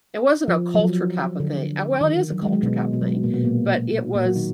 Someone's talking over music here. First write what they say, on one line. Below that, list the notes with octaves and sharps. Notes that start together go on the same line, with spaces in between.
It wasn't a culture type a thing uh, well, it is a culture type thing, but it was
F3
F#3
F3
D3
D#3
F#3
G#3
F#3
G#3
B2 B3
B2 B3
F#3
G#3
A#2 A#3
B2 B3
A#2 A#3
A#2 A#3
F#3 F#4
D#3 D#4